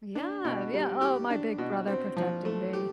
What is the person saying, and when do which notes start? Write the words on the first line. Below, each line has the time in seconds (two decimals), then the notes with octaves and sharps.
Yeah, yeah. "Oh, my big brother protecting me."
0.15 D4
0.45 B2
0.73 G3
1.01 G4
1.30 D4
1.58 B2
1.87 C4
2.17 F3
2.45 A3
2.73 G4